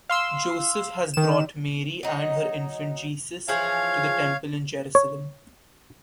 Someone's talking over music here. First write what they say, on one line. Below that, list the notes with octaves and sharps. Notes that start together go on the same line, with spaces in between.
Joseph has brought Mary and her infant Jesus to the temple in Jerusalem.
F5 C6 E6
D#3 E7
F#3 D#4
E3 F3 G#4 C#5 F5
C#5